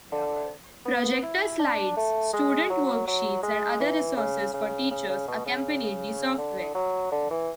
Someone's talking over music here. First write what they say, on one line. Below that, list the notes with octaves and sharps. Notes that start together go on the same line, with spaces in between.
Projector slides, student worksheets, and other resources for teachers accompanied the software.
D3
B3
E4
D4
A3
G#3
F#3
F#3
G#3
E3
C#3
C#3
C#3
C#3
B2
C#3
D3
F#3
D3
E3